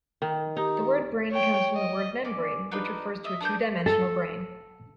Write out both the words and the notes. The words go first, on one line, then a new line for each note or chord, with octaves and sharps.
The word brane comes from the word "membrane" which refers to a two-dimensional brane.
D#3
D#4 G4
C#5 G5
D#5
C#4 D5
D4 D#4 F4 B4
D#5 E5
D4 B4 G6
A4